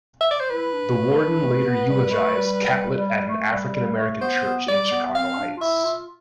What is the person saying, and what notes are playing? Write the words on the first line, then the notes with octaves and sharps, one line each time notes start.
The warden later eulogized Catlett at an African-American church in Chicago Heights.
E5
D5
C5
E4 B4
D4
A3
D4
A3
B3
G3
A3
G3
G3
G3
A3
G3
G3
A3
B3 C5
B3
G3 D5
B3
C4 F5
D4
F4
E4 E5
F4